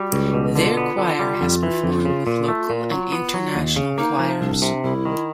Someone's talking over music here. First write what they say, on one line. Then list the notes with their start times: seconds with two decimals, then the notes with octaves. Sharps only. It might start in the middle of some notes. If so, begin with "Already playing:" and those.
Their choir has performed with local and international choirs.
Already playing: G3 F#4
0.13 C#2
0.34 B2
0.55 D3 F4
0.77 B3
0.98 D3
1.19 G3
1.41 F2
1.63 E3
1.84 F2
2.05 C#3
2.27 A#2
2.48 A3
2.70 A#2
2.91 F#3
3.12 B3
3.34 F#3
3.56 D#2
3.76 C#3
3.98 A#3 D#4
4.19 F3
4.41 C2 D4
4.62 C3
4.83 C2 E4
5.05 D#3